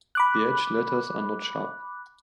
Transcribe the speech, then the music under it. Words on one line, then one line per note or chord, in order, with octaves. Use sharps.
The edge letters are not sharp.
B5 D6 F#6